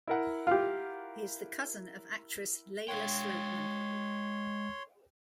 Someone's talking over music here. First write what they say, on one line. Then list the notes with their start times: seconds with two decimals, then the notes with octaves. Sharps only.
He is the cousin of actress Lala Sloatman.
0.07 E4 A#4 F#5
0.47 F4 G4
2.88 G#3 C#5 F5 G5 C6